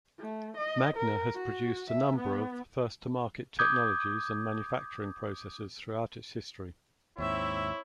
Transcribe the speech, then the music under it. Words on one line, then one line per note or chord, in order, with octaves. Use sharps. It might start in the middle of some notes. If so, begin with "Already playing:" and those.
Magna has produced a number of first-to-market technologies and manufacturing processes throughout its history.
A3
D#5
A#4
F#4
E5
B3
D6 D#6 G6 G#6
D#2 G#2 C4 E4 C#5 E5